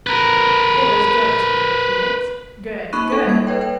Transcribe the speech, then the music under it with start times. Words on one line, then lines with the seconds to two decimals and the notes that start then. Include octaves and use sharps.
It was good to be a Phoenix, good, good!
0.07 A#4 B4
2.92 A#3 D#4 B5 C#6 F#6 D#7
3.10 A4 C#6
3.25 G3 A#3 G#6
3.47 A4 B4 C#5 G5
3.61 G5